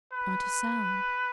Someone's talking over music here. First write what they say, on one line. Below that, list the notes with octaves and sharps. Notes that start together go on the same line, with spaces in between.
Not a sound.
B4